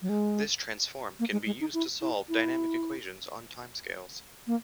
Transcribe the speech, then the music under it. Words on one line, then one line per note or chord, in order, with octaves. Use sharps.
This transform can be used to solve dynamic equations on time scales.
F#3
G#3
A#3
G#3
G#3
D#4
E4
E4
E4
A#3